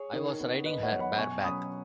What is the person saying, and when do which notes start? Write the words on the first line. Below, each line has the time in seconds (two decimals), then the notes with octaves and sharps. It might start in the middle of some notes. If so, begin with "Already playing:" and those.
I was riding her bareback...
Already playing: G#4 C#5
0.13 D#3
0.40 B3
0.65 D#3 B4 D#5
0.83 C#5 F#5
0.91 F#3 B3
1.00 F#5 B5
1.17 B2 G#5 C#6
1.44 F#3 C#4 B5 D#6